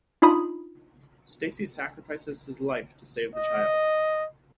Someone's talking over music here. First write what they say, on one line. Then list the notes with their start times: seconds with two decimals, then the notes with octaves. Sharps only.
Stacy sacrifices his life to save the child.
0.22 D4 D#4 F4 B5 D#6
3.36 D#5